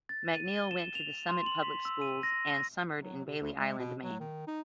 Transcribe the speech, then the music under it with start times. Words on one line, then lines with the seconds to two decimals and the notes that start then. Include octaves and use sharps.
MacNeille went to the Summit Public Schools and summered in Bailey Island, Maine.
0.09 A6
0.36 D#7
0.54 G7
0.71 E7
0.95 F7
1.29 C6
1.46 F#7
1.63 B6
1.85 E6
2.02 D#7
2.23 A#6
2.50 A#6
2.99 F#3
3.25 C3
3.41 D2
3.58 G#3
3.79 B2
4.03 F#3
4.20 D#3
4.47 D#4